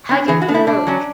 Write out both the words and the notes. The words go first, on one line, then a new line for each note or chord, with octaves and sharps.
How did he look?
B3 D4
E3 G#4
F#4
B3 D4
E4
B2 D4
F#3 C#4